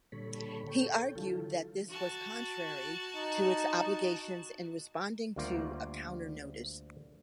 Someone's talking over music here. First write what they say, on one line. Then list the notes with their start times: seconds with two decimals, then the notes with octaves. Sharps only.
He argued that this was contrary to its obligations in responding to a counter-notice.
0.12 A#2 D3 G3 A4 C#5 B5
0.67 A4 C#5 G5
1.15 D3 E3 F#3 F4 A4
1.89 F#4 A5
3.16 D#4
5.36 D2 G3 A#3 F4 D5